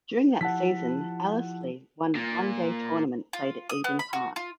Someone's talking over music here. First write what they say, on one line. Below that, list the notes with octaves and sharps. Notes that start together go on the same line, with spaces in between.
During that season Ellerslie won One Day-tournament played at Eden Park.
F3 E4 G4 F#5 A5 B6
A#2
F4
D#6
B3
B5
F#4
F4